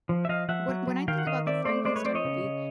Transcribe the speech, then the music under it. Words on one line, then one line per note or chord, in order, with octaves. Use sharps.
When when I think about the Frankenstein movie,
F3
E5
F3 D#5 F5
F3 E5 F#5
F#3
F#3
D#3 F5 G5
F#5
D#3 D#5 F5
C4 D5 E5
A3 C5 D5
G#3 C5 D5
B4 C#5
C4 C5 D5
C#5 D#5
C#3
C#3